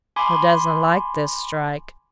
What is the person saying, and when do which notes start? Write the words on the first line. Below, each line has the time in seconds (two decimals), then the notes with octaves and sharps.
Hoo doesn't like this strike.
0.16 G#5 B5 C6 D6